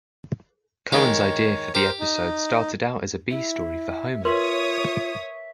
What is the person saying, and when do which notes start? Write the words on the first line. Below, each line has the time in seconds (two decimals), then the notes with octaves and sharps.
Cohen's idea for the episode started out as a B story for Homer.
0.92 D#3 G#3 G4 C#5
1.75 G4 A#4 C5
2.00 D#4
3.31 E4 E5
4.25 F4 A#4 B4 C#5 E5 C6 D#6